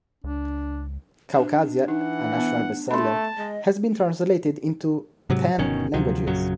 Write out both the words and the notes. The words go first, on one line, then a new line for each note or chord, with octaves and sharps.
"Caucasia", a national bestseller, has been translated into ten languages.
C#2 D4
D4
E3 D#4 F#5
B3
A3 A5 B5 C6
G#3 D#5
G#2 C3 F#3
G1 B2 D#3 C#4
D2 C3 F3 F#3
A#1 F#2 C#3 F#3